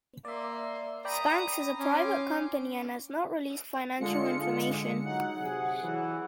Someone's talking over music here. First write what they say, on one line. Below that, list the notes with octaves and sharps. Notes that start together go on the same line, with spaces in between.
Spanx is a private company and has not released financial information.
A#3 D5 E5 C6
D5 G5 A#5 B5 D#6
C#4 C6 D6
D3 G#3 F4 C#7
F#3 D#4 F#5
C3 G#4
E3 F#3